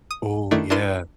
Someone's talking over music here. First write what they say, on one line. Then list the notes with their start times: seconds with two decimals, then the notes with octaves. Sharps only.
Ooh, yeah.
0.11 D#6
0.51 D#3 A3 D4 E4
0.70 D4 E4 A#4 C6 D#7